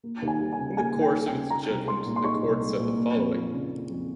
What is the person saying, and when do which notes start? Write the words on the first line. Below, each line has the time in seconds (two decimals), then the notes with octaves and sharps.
In the course of its judgment, the Court said the following.
0.04 A#3
0.22 D#2
0.28 G#5
0.40 G3
0.53 G#5
0.59 C#3
0.77 A#3 G#5
0.96 D#2
1.01 G5
1.14 G3
1.26 G5
1.32 C#3
1.50 D#4 A#5
1.69 C2
1.87 G#3 C6
2.06 A#2
2.16 C6
2.24 D#4 C#6
2.43 C2
2.61 G#3
2.80 A#2
2.98 A#3
3.16 F2
3.35 F3
3.53 C#3
3.72 A#3
3.90 F2